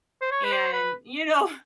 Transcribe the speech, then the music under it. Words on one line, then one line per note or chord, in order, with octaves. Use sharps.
And, you know,
C5
C#5
B4
C5
B4